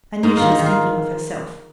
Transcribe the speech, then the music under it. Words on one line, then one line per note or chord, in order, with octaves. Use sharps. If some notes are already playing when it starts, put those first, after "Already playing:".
I knew she was thinking of herself.
G#2 D#4
D#3 F4
D#4
D#3
F4